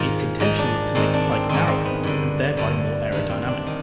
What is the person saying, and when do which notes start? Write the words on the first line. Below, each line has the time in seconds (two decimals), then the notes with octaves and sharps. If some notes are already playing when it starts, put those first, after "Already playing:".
Its intention was to make the bike narrower, and there by more aerodynamic.
Already playing: G#2 D#3 F4
0.40 G#2 D#3 D#4
0.59 D4
0.95 G#2 D#3 C4
1.14 D4
1.32 C4
1.49 G#2 D#3 C4
1.68 C4
1.85 B3
2.04 G2 D3
2.57 G2 D3
3.12 G2 D#3
3.30 C4
3.48 D4
3.67 D#3